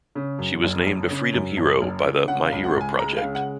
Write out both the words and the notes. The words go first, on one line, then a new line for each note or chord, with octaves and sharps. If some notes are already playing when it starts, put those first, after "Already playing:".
She was named a Freedom hero by The My Hero Project.
C#3
F#2
F#1
F#1
C#3
F#2
F#1
F#1
C#3
C#3 F#5
F5
C#2
F#5
C#2 G#5
G#3 A#5
F5
C#3
F#5